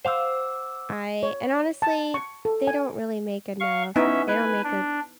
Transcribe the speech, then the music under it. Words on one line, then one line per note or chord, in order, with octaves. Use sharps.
I and honestly, they don't really make enough, they don't make a
C5 F5 F#5 D6 E6
C#5
A5
C#6
A4
G#5
F5 C#6
B3 C#4 D#4 E4 E5
B4 G#5
D4